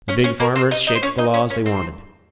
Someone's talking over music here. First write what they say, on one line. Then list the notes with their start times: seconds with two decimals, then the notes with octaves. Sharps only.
The big farmers shaped the laws they wanted.
0.08 C#4 C#5
0.24 C#4 C#5
0.40 A#3 A#4
0.55 C4 C5
0.71 D#4 D#5
0.87 D#4 D#5
0.95 C5
1.03 C#4 C#5
1.18 D#4 D#5
1.34 C#4 C#5
1.50 C#4 C#5
1.66 C4 C5